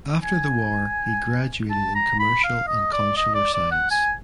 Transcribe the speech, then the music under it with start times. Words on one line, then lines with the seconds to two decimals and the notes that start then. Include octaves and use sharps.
After the war he graduated in commercial and consular science.
0.23 G#5
1.70 A5
1.95 A#5
2.19 B5
2.44 F5
2.67 D#5
2.93 D5
3.17 D#5
3.34 D5
3.54 D5
3.71 F#5
3.91 G#5